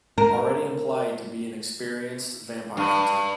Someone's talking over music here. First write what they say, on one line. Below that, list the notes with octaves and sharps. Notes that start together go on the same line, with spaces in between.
Already implied to be an experienced vampire hunter.
A#4
G2